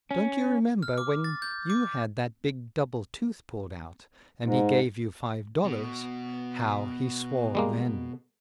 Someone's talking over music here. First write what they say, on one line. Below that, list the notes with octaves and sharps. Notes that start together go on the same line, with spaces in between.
Don't you remember when you had that big double tooth pulled out, and he gave you five dollars, how he swore then?
C#4
F6
D6
A6
G6
D6
G#2
B2
G3 G#3 A#3